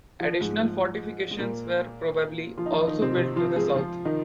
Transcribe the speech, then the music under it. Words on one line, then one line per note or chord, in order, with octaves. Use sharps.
Additional fortifications were probably also built to the south.
F3
G#2 G#3
F3
G#3
A#2 A#3
F3 F4
D#4
F3 F4
D#3 D#4
C3 C4
C3 C4
F3 F4
G#3 G#4
F3 F4
D#3 D#4